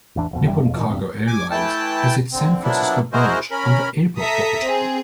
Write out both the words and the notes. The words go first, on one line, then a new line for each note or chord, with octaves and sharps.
Nippon Cargo Airlines has its San Francisco branch on the airport property.
A1 E2 E3 D4
D1 F2 B2
G1 F#2 E3 G3
E1 F2
G2 A#2 D#3 F3
D#1 E2 G2 C3
G#5 D6
E3 A3 E4 G5 A5
D3 C4
F3 F#3 A#3 B3 D4 E4
E4 F#4 G#4 A#4 C5 D#5
C#4 A#4 B5
A4 E5 A#5 D#6 B6
C4 G#4